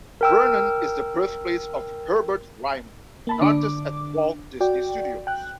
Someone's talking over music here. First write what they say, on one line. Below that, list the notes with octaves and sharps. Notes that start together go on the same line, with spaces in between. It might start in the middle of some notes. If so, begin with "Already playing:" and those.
Vernon is the birthplace of Herbert Ryman, an artist at Walt Disney Studios.
A#4 G5 E6
A#3 A5 B5
D3 D4 D6
F#4 D5 G5
G5 F#6